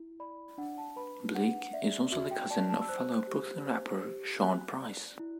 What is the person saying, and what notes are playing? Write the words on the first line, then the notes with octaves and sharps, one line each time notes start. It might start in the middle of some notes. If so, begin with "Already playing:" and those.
Bleek is also the cousin of fellow Brooklyn rapper Sean Price.
Already playing: E4
D5 B5
D4 F#5
A5
B4 B5
D4 F#5
D5 E5
F#4 E5
G5
D5 A5
A5
E6
C5 F#6
G4
C5
G4
F#4 F#6
D5
E4